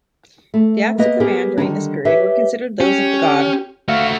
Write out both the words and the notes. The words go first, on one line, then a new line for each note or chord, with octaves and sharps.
The acts of the man during this period were considered those of the god.
A3
A#3 B3 B4 D#5
B3 G4 G#4 A#4
D3 D#3 G3 D4
G4 B4 C#5 E5
C#4 G4
A3 F#4 E5 F5